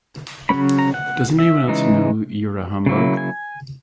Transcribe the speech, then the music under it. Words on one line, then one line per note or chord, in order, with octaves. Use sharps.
Doesn't anyone else know you're a humbug?
C#3 F#3 A#3 C#4 B5
A#5
F#5
E5
C#3 E3 G#3 D#4
C#3 F#3 A#3 E4
G#5